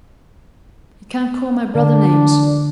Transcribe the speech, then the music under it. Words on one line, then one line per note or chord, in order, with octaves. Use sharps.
"You can't call my brother names."
D3 D4